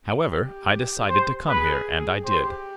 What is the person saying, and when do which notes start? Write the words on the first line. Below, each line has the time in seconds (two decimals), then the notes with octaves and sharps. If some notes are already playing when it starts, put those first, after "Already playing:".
However, I decided to come here, and I did.
0.32 G4
1.08 C5
1.47 G#4 B4
2.24 G4 C5